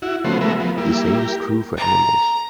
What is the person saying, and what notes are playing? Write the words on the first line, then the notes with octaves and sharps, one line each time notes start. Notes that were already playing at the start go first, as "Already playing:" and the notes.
The same is true for animals.
E4 F#4
C#3 F3 A3 B3 F#4 C5
F#3 G#3 A3 B3 A#4 E5
F3 B3
G3 A#3 E4
G4 A#4
A#5